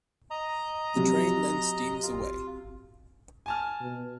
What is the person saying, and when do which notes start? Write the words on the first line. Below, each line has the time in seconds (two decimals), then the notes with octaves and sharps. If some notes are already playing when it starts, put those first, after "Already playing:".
The train then steams away.
0.31 D#5 A#5
0.96 C3 F#3
2.03 F4
3.46 G#5 A5 F6
3.81 B2